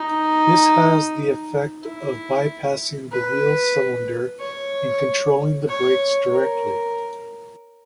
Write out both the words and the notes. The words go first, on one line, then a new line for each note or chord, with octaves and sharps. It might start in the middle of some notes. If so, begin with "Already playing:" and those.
This has the effect of bypassing the wheel cylinder and controlling the brakes directly.
Already playing: D#4
E4
B4
C#5
C#5
A#4